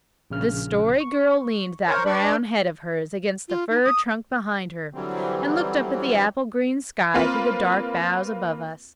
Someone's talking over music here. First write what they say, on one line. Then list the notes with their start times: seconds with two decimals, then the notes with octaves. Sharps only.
The Story Girl leaned that brown head of hers against the fir trunk behind her, and looked up at the apple-green sky through the dark boughs above us.
0.31 A#1 C#3 F6
1.00 C#6
1.88 A#4 C5 C#5
2.05 D4 B4 D5 B5 C#6
3.49 F4
3.70 D#4
3.84 D#6
4.94 D3 E3 F#3 G3 C4
7.14 A#3 C4 F4 B4